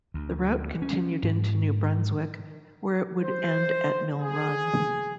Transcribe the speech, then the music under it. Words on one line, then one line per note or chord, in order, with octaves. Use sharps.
The route continued into New Brunswick, where it would end at Mill Run.
D2
C#4
G#2
C5
G#4